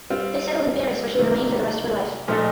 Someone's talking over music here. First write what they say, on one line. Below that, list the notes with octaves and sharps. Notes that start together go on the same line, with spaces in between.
They settled in Paris where she would remain for the rest of her life.
G3 C4 F4
C3 D#3 A#3
A#2 F3 A3 D#4 A4